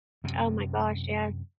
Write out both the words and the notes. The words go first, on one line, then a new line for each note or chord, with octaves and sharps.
Oh, my gosh, yeah.
F#2 C3